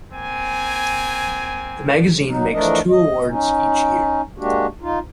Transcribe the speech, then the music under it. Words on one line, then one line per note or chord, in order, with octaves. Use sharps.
The magazine makes two awards each year.
A#3 C4 G#5
F#3 D#4
E3 F3 A3 D4 A#4 D#5
D#5
C#4 D#4
G#3 A#3 D4 F#4 G4
D#4 F4